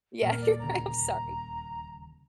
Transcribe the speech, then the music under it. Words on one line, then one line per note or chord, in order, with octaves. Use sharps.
Yeah, you're right, I'm sorry.
D#1 A#2 A#3 A#4
D5
D2 C#3 A#5